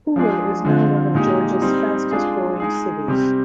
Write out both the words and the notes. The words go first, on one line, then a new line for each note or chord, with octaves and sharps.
Pooler is now one of Georgia's fastest-growing cities.
F3 G#3 D4 G#4
D3 F3 C4 F4
A#2 G#3 D#4 G4
G3 C4 D#4
G#3 D4 F4 G#4
G#3 D#4 G#4
C3 G3 C4 G4